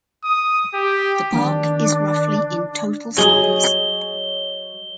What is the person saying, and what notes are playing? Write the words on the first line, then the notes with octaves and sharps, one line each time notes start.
The park is roughly in total size.
D#6
G4
D#3 D4
F#3 G#4 C#5 D#5 G7